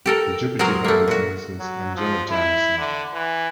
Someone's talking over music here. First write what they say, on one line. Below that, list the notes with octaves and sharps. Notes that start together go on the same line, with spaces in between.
The Depute Head is Mrs Angela Jamieson.
G4 A4 A#4
F#3 G#4 A#4 C5
A3 A#3
A#2 F#4
F#3
F3
E4
D3
E3